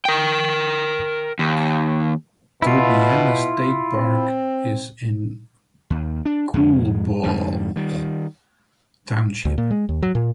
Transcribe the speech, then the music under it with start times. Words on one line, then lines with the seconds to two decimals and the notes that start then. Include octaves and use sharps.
Tobyhanna State Park is in Coolbaugh Township.
0.05 A#4 G5
1.39 D#2
2.62 B2 E4 F4
3.95 C4
5.90 D#2
6.25 D4
6.54 F2 G#3
7.23 F2 G#2 D3 G3
7.76 D#3 G3
9.45 D2
9.58 A#2
9.71 G#3
9.89 D#2
10.02 F#3
10.15 A#2